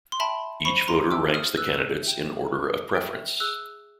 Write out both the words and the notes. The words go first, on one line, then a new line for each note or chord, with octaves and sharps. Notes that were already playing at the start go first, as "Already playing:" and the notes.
Each voter ranks the candidates in order of preference.
C6
E5 G5 A5 B5
C5 B5 C#6
A#5 C6
E5 G5 D6 E6
D#6 F6
B4 E6 F#6
E5 G5
B4
E5 G5
G#4 E6 F#6